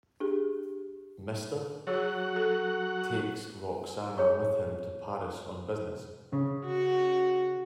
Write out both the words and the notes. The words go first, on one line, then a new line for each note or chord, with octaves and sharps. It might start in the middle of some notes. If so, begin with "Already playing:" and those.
Mr. -- takes Roxana with him to Paris on business.
D4 G4 G#4
F#3 F#4 G#4 C#5 F#5 C#6
A4
G#4 C#5 C#6
C#3
F#4